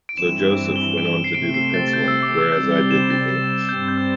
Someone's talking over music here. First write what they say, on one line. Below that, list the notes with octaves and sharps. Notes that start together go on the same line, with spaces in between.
So Joseph went on to do the penciling, whereas I did the inks.
D7
G2 E3 C4 E7
G7
D7
E7
C7
C3 A3 C4 D7
C7
A6
A6
G6
E6
D6
E6
C3 G3 C4 G6
G7
E7
A6
G2 G3 C4 G6
G6
E6